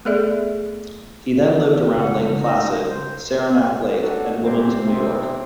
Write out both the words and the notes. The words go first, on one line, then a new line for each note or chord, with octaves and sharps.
He then lived around Lake Placid, Saranac Lake, and Wilmington, New York.
A3 B3 G#4 A4 D5 E5
C#3 F#5
C#3 G#3 D4
C#3 D#4
C5
A3 D4 D#4 F#4 G4 A4
C2 C#3 E3 C4 G4 C5
B1 C3 C4